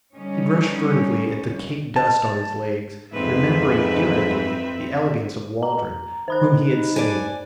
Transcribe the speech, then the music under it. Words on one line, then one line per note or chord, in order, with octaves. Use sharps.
He brushed furtively at the caked dust on his legs, remembering, irritably, the elegance of Waldron, whom he had saved.
D3 G3 C#4 D#4 C#5
A5
F2 G#2 C4 B4 E5
A#5
D#3 C5 B5 F#6
D#4
D5 G#5 A5